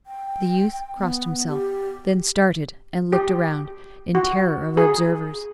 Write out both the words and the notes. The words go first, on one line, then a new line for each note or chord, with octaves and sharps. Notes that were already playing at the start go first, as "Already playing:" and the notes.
The youth crossed himself, then started and looked round, in terror of observers.
G5
B3
G4
G4
F#4
G#4